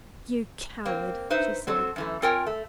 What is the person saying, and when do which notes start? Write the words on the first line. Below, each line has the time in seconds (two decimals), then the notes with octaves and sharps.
"You coward!" she said.
0.85 A#3 C4
1.30 D#4 B4 C5 E5
1.67 F#3 C4 A4
1.96 F#2 E3 A3
2.22 C4 F4 A#4 C#5 G5 G#5
2.46 A3